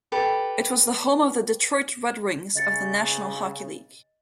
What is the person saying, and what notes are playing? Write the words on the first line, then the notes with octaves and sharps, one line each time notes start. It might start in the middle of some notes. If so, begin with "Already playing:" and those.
It was the home of the Detroit Red Wings of the National Hockey League.
G4 A4 B4
C#3 D#5 A6 C#7